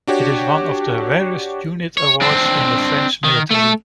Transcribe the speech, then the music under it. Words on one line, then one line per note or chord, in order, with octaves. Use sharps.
It is one of the rarest unit awards in the French military.
D4 F#4 G4 C#5
C#5
C4 D4
D#3
A3 A4